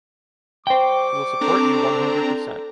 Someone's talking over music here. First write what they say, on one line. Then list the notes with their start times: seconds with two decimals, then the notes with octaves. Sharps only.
We will support you, one hundred percent!
0.67 G3 C5 G5 C#6 D6
1.41 C4 D4 A4 A#5